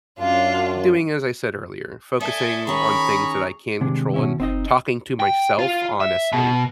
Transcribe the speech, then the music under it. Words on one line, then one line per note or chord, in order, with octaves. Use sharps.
doing as I said earlier, focusing on things that I can control and talking to myself honestly,
F#2 D4 F4 F5
A4 D5 E5 G#5 D#6
D#3 C#4 G#4 A#5 B5 C#6
C3 D#3 G#3 D4
B2 C#4 E4
F#1 C4 D#4 D#5
G5
F4
E5
B2